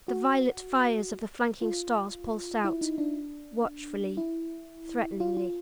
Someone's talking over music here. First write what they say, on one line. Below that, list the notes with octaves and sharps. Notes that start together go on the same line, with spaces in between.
The violet fires of the flanking stars pulsed out--watchfully, threateningly.
F#4
F4
E4
D#4
D4
E4
F4
F4